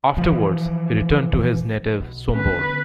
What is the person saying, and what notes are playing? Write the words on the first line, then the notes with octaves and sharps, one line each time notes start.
Afterwards he returned to his native Sombor.
E3 F3
B1
D3 B3 C#4 B4